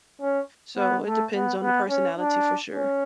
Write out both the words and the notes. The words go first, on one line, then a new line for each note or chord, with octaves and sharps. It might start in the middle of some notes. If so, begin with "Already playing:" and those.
So it depends on the personality for sure.
C#4
B3
A3
B3
B3
C#4
D4
C#4